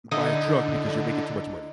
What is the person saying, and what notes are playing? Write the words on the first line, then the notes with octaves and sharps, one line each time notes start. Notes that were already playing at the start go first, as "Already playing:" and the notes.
buy a truck because you're making too much money."
D3 D#4 E4